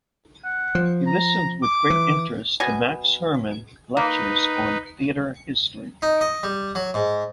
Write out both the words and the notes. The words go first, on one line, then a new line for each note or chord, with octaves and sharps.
He listened with great interest to Max Herrmann lectures on theatre history.
F#5
F3
A#5
D6
E3
B2 G#5
A#3 D#4 B4
D#4
D#5
G3
F#3
G#2